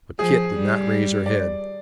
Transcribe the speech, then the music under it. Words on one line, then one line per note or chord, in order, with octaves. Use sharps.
But Kit did not raise her head.
F3 G#4
G3
D5